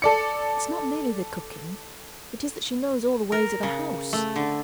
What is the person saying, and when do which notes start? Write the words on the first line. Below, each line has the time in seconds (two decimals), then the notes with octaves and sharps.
It's not merely the cooking, it is that she knows all the ways of the house.
0.02 A4 D5 C#7
3.32 A#4
3.63 C#3
4.13 A3
4.36 D3